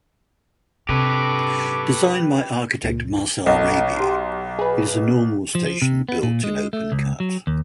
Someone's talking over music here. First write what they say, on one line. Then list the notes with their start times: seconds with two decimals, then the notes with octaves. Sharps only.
Designed by architect Marcel Raby, it is a normal station built in open cut.
0.89 C3 G4 A4 B4 C#6 D6
2.83 C#2 A#2
3.46 B1 A4 D#5
3.97 G4 C6
4.59 G#4 B4
5.55 F3
5.66 F3
5.82 C3
6.09 B3
6.23 A#2
6.44 G#3
6.73 A3
6.92 C#2
7.20 F#3
7.47 D#2